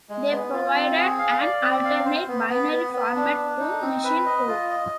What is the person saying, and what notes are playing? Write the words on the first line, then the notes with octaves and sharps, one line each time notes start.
They provided an alternate binary format to machine code.
G#3
B3
F4
C4
G#4
F5
D5
C4
F5
C5
B3
B3
B3
B3
D4
D4
D#4
C4
B4
D#5
F4
D#5